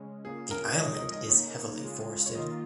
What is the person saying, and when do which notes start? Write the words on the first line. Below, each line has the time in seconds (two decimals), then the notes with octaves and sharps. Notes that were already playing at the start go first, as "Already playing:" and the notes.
The island is heavily forested.
Already playing: C#3 G#3 C#4
0.24 C#3 A#3 C#4 F4 G#4
0.51 A#4
0.72 C#5
0.76 F3 G#3 D#4 D#5
0.95 D#5
1.12 D#5
1.29 C#3 A#3 D#4 C#5
1.82 C#3 G#3 F4
2.26 C#5
2.35 D#3 A#3 F4 D#5